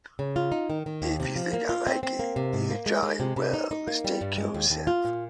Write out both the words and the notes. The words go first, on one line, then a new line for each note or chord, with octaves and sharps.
If you think I like it, you jolly well mistake yourself.
C#3
F4
D#4
D#3
D#3
D#2
C3
F3
A#3
F4
C4
C4
A#3
C3
G#2
A#3
G#3
G#3
C3
C3
D#4
D#4
A#3
G3
G2
G#3
D#2
D#2
F4
A#2